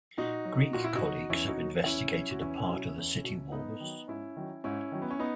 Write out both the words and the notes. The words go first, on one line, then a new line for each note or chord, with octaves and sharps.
Greek colleagues have investigated a part of the city walls.
A#2 D#4 F#4
F#3
A#2 F#4
E4
D#4 F#4
F#3
E2 C#4 E4
D#4 F#4
B2
F#3
E2 C#4 E4
B2 F#3
F#4
E2 C#4 E4
B2 F#3
E2
B2 F#3
G#2 B3 D#4
D#3 F#3
G#2 C#4 E4
D#3 F#3
G#2 C#4 E4
D#3 F#3
B3
C#4
B3 D#4